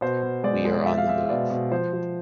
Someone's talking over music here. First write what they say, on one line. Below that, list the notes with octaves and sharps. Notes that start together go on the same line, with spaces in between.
We are on the move.
B2 C5
B2
G#3 D5
G#3
G#3 E5
F5
G#3 E5
E5
B2 D5
B2
F3 C5
F3